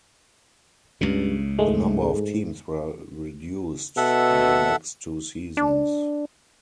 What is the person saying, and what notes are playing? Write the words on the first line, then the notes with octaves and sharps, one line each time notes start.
The number of teams were reduced in the next two seasons.
C#2 G2 C#3
G#2 G#3 A3
B2 A4 E5 F#5
D4